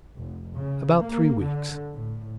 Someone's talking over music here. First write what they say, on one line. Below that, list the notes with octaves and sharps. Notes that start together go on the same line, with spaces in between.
"About three weeks."
F1
C#3
A#3
D3
A2